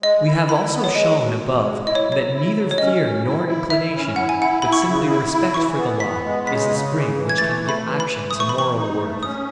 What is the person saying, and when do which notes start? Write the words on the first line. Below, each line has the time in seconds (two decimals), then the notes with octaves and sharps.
We have also shown above that neither fear nor inclination, but simply respect for the law, is the spring which can give actions a moral worth.
0.03 G#3 D#5
0.26 E4
0.49 E4 B5
0.72 B3
0.84 C#5
0.95 G#3 D#5
1.18 B2
1.41 B2
1.64 G#3
1.86 E4 D#5
1.95 C#5
2.10 F#3 C#5
2.33 E4
2.56 F#3
2.71 C#5
2.78 C#4 D#5
3.02 C#4
3.25 E4
3.47 E4
3.70 E4 E5
3.94 C#4
4.16 E4 F#5
4.29 G#5
4.39 E4 F#5
4.62 E4 B5
4.72 C#6
4.82 C#3 B5
5.09 E4
5.32 E4
5.54 E3 C#6
5.78 B3
6.00 B3 B6
6.24 G#3
6.47 C#3 B6
6.69 C#3
6.92 E3
7.16 E3
7.29 G#6
7.38 A3 A6
7.62 A3
7.69 B5
7.85 E3
8.00 B5
8.07 E3
8.30 A3 D#6
8.40 C#6
8.49 E3 B5
8.58 C#6
8.76 D#4
8.99 A3
9.22 C#4 D#6